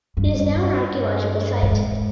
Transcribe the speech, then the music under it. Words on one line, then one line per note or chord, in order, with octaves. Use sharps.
It is now an archaeological site.
G2
G#2